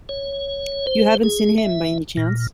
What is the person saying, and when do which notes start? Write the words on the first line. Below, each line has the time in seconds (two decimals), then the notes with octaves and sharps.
You haven't seen him, by any chance?
0.09 C#5
0.87 C5
1.24 G#4
1.58 E5
2.17 A#2